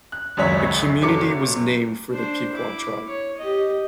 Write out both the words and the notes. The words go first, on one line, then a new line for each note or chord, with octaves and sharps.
The community was named for the Piqua tribe.
F#6
G#1 C#2 F#2 G#3 C#5 B6
F#1 F#3 A4 D6 C#7
D4 C5
E4 D6
C#5
G4 D#5